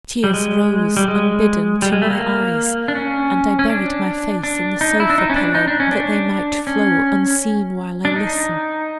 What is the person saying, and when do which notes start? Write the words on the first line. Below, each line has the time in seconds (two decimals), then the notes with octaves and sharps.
Tears rose unbidden to my eyes, and I buried my face in the sofa-pillow that they might flow unseen while I listened.
0.24 G3
0.34 G#3
0.97 G3
1.08 G#3
1.82 G3
1.92 G#3
2.02 A3
2.10 A#3
2.88 D4
2.95 C#4
3.59 C#4
3.70 D4
4.43 D4
4.81 D#4
5.00 E4
5.10 D4
5.18 D#4
5.30 C#4
5.36 D4
5.55 D#4
5.68 D4
5.80 C#4
5.92 D4
6.67 C#4
8.05 D4
8.16 D#4